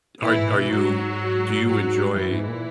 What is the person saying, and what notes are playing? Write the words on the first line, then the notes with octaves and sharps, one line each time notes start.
Are are you do you enjoy
A#2 E3 E4
G#2
B2
G#2 F#3 F#4
F#3 F#4
F#2 E3 E4
G#2
A#2